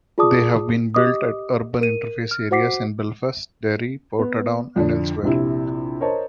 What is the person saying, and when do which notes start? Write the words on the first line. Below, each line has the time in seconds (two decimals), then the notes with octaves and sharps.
They have been built at urban interface areas in Belfast, Derry, Portadown and elsewhere.
0.18 F4 G#4 D5 A5 D6 D#6
0.95 G4 D#5 D6 D#6
1.81 A#4 D#7
2.31 F6
2.51 F#4 C5 F#5 D6 B6 C7
4.19 B3
4.76 F2 D3 D4
5.23 A#1 C3 E4
6.01 A#4 C5 C#5 D#5 A5